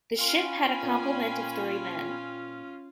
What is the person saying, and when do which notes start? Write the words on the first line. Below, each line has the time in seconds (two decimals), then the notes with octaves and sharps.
The ship had a complement of three men.
0.19 C#4 F4 F5 G5 G#5 B5 C6 F6
0.83 A#2